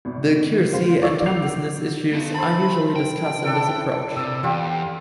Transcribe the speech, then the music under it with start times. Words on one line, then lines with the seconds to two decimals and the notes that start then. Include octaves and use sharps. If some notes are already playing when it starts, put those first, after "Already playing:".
The accuracy and timelessness issues are usually discussed in this approach.
0.05 G#1 B2
0.73 C#3 C5 F5
1.02 D5 F5 C#6 D6 E6
1.26 F#5 D6 G6 C7 F7
2.13 B3 A4
2.34 C5 A5 B5
2.96 G5
3.46 D4 E4 A4
4.17 C3 D5 E6
4.43 E2 G3 F4 G4